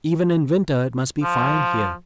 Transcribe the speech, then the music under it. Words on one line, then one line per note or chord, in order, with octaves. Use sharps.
"Even in winter it must be fine here."
F3